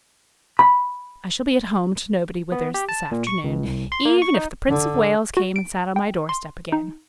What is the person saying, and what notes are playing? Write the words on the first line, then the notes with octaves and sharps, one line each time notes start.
I shall be at home to nobody, Withers, this afternoon, even if the Prince of Wales came and sat on my doorstep again.
B5
B3
G4
A5
A#2
C#6
C#2
C2
C6
A#3
C#6
D#4
D3
F#4
D7
G5
C6
D#4